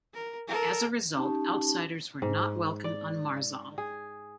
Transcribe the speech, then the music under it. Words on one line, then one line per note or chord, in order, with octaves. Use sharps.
As a result, outsiders were not welcome on Marzal.
A#4
A4 A#4
C#4 D#4 G4 A5
G#2
D5
G#4